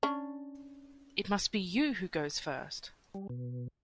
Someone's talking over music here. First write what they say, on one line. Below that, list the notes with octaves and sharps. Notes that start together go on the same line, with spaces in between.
It must be you who goes first!
C#4 D4
G3
B2